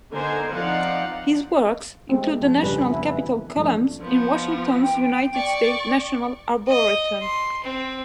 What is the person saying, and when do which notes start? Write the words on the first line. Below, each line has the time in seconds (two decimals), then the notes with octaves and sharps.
His works include the National Capitol Columns in Washington's United States National Arboretum.
0.14 D3 B3 D#4 A#4 C5 G#5
0.54 F3 C4 D#4 D5 F5 F#5
2.09 G#3 A3 C4
2.41 F3
2.62 F2 A2 C#3 G3 D4 B4
2.90 B3 E4
3.19 E3
3.56 E3 F3 A3 D4
4.01 F3 B3
4.82 G5
5.34 D5 C#6
6.67 D#5
7.21 C6
7.63 C4